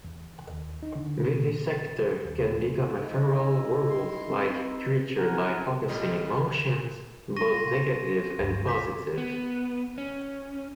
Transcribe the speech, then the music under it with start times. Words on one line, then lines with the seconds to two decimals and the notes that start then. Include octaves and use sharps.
Vivisector can become a feral werewolf-like creature by focusing emotions, both negative and positive.
0.04 E2
0.50 D#2
0.83 D#4
0.95 D3
1.39 A#2
1.71 A6
2.25 D#2
2.97 D#4 E4
3.90 C6
4.30 C4 B4
5.17 E4 A#4 F#5 G#5 A5
5.88 D#1 A1 A#2 G3 G4 D#5
7.37 C#6 A#6 D#7
7.54 F4 C6 A#6
7.68 F4
8.38 G1 D2 G2
8.67 D6 G6 B6
9.18 B3
9.98 C#4